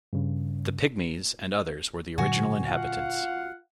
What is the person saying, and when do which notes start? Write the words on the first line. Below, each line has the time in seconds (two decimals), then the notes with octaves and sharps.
The Pigmies and others were the original inhabitants.
0.13 G2 C#3
2.18 A#2 D3 F#3 F#4 G#5
2.66 F4 F5 F#5